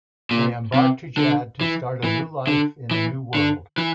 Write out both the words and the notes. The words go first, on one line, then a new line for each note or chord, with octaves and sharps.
They embark to Jadd to start a new life in a new world.
A#2
C3
D3
E3
E3
D3
E3
D3
E3